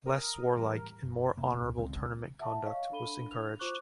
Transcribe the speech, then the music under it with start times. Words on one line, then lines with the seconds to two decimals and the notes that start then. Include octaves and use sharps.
Less warlike and more honorable tournament conduct was encouraged.
0.06 A#4 D#6
0.57 A2 E3 G3
1.02 F#1
1.37 D#1 D#2 C3 A#3
1.62 C#2 A2
1.78 C#2 C#3 G#3 C4
2.40 E5 F#5 A5
2.62 C#5 D#5 F5 C#6
2.92 D4 A4 B5 D#7 G7
3.31 F7
3.59 F4 C5 C#6 D6 F#6